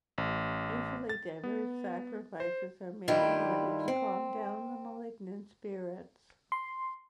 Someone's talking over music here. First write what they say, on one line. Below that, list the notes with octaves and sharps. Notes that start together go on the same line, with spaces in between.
Usually diverse sacrifices are made in order to calm down the malignant spirits.
A1
A6
B3
C5
G2 D#3 G3 D4 E4 F4
C4
C6